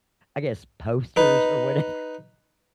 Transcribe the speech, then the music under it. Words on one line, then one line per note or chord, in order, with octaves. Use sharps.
I guess, posters or whatever,
D#4 B4